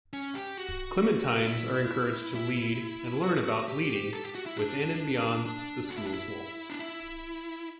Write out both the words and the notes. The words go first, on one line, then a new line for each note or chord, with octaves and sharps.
Clementines are encouraged to lead-and learn about leading-within and beyond the School's walls.
C#4
G4
F#4
E4
E4
F#4
G4
A4
G4
F#4
E4
D4
D4
F#4
E4
D4
E4
D4
E4